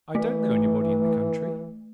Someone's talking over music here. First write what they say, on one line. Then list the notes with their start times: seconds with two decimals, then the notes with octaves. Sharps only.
I don't know anybody in the country.'
0.15 E3 A3